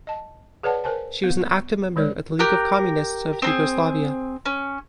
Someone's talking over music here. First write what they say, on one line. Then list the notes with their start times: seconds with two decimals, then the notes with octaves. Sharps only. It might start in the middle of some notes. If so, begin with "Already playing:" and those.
She was an active member of the League of Communists of Yugoslavia.
0.07 D#5 A5
0.63 G#4 B4 C#5 D5 F#5 A5
0.84 A#4 C5 G#5 A5
1.24 B3
1.96 D#3 G#3 C#5 D5
2.39 G4 A#4 F#6
3.42 C4 D#4 G#4
4.45 C#4